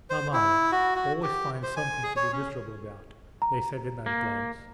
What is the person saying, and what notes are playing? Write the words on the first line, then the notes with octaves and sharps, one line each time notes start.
"Maman always finds something to be miserable about," they said in that glance.
C5
E4
F#4
F#4
G4
C5
G#5
G#4
C#5
C#4
A#5
A#3